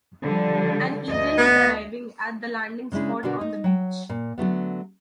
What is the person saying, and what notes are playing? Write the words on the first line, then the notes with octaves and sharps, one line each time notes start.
An eagle is arriving at a landing spot on the beach.
D3 F3 G3
D2 D#5
B3
C#3 G#3 D4 E4
B2 D3 D4 F#4 A#4
D#4
F#3 G5
A#2
D3 F#3 A3 B3